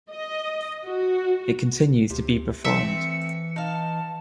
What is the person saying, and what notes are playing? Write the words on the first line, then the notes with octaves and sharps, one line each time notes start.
It continues to be performed.
D#5
F#4
D2 C3
E3 A3 C4 E5 C#7
D#4 F5 A5